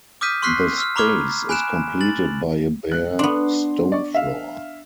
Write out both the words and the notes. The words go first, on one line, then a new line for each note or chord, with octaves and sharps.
The space is completed by a bare stone floor.
D6 D#6 F6 G6 B6 D#7
C6 C#6 F6 F#6 B6 C7
E6 F6
A#5 B5 C#6 D6 F6 G#6
G#5 B5 F#6 D7 E7
A6 F#7
F#6
B3 D4 C6
D5 C#6
E5 F5